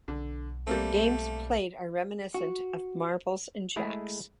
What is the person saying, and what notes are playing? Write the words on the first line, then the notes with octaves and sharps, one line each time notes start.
Games played are reminiscent of marbles and jacks.
B1 D3
G3 A3 A#3 C4
F#4
G#3 A3 E4 G#4